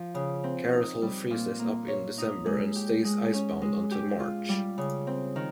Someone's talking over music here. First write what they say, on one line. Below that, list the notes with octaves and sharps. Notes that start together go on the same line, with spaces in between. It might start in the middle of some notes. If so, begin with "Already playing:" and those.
Karatal freezes up in December and stays icebound until March.
Already playing: F3
C#3
C4
D#4
G3
A#2
A#3
C#5
D#4
G#3
G4
G#3
C#4
G#3
G4
F4
G3
C#3
C4
D#3